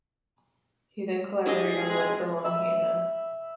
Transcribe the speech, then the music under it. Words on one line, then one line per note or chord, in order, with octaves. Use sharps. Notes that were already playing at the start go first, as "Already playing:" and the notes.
He then collaborated on work for Longhena.
E4 G4 G#4 D#5
B1 F2 G#3
E5 B5